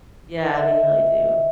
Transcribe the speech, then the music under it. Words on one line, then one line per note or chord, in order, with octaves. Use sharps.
Yeah, they really do.
D#5 E5